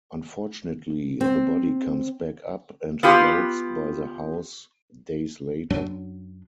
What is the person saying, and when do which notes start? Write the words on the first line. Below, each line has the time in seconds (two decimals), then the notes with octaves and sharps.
Unfortunately, the body comes back up and floats by the house days later.
1.21 C4
3.03 B3 F4 G4
5.70 F#2 F#3 D4